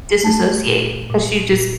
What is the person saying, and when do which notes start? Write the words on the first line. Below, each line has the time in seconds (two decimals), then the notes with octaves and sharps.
disassociate 'cause she just
0.23 A3 A5
0.67 A#2
1.09 A#2
1.53 A#2